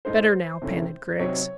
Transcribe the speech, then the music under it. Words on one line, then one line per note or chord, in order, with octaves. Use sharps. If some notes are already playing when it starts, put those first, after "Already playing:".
"Better now," panted Griggs.
A2 G#3 D#4 A4 C5
C3 D#3 A3 C#4 E4
C3 F#3 C4 D#4 C#5